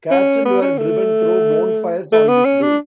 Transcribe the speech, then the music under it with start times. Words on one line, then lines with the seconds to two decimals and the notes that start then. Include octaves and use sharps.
Cattle were driven through bonfires on this day.
0.11 C#4
0.45 B3
0.62 C#4
0.78 A3
2.12 A3
2.28 B3
2.45 C#4
2.62 D4